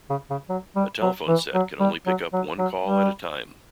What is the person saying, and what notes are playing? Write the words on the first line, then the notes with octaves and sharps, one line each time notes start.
A telephone set can only pick up one call at one time.
C#3
C#3
F#3
G3
F#3
E3
F#3
G3
F#3
F#3
F#3
G3